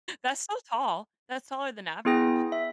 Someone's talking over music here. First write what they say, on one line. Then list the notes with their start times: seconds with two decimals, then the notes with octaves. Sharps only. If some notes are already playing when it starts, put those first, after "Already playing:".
That's so tall. That's taller than average.
2.05 B3 E4 G#4 G5 A#6
2.52 E5